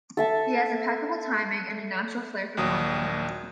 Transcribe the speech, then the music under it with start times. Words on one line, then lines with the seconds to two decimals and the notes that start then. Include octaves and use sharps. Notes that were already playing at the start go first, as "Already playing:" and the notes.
He has impeccable timing and a natural flair for comedy.
0.17 A4 E5 A5
2.57 A#1 D#2 F#3 D#6